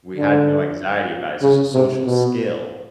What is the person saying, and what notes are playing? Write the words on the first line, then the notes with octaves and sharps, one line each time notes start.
We had no anxiety about it, it's just a social skill.
D3
C#3
C3
B2